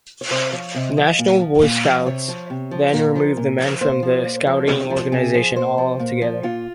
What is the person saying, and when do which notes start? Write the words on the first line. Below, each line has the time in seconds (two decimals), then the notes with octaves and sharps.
The national Boy Scouts then removed the men from the scouting organization altogether.
0.21 C#5
0.31 C3 C5
0.53 F3 C#5
0.75 C3 D#5
0.97 F3 D#5
1.19 A#2
1.41 F3
1.62 A#2
1.85 F3
2.06 C3 C#5
2.28 F3
2.50 C3
2.71 F3
2.93 A#2 A#4
3.15 F3
3.37 A#2
3.59 F3
3.81 A#2 C5
4.03 F3
4.25 A#2
4.47 F3
4.68 C3
4.90 F3
5.12 C3 G#4
5.34 F3
5.56 A#2 C5
5.78 F3
5.99 A#2
6.22 F3
6.43 A#2 F4